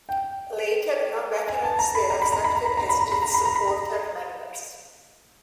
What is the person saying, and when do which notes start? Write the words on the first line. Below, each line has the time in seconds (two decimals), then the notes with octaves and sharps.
Later non-veterans were accepted as its supporter-members.
0.09 G5
1.48 G#5
1.64 A5
1.79 A#5
1.95 B5
2.10 A#5
2.22 B5
2.32 A#5
2.44 B5
2.55 A#5
2.66 B5
2.77 A#5
2.89 B5
3.00 A#5
3.12 B5
3.22 A#5
3.34 B5
3.45 A#5
3.56 B5
3.67 A#5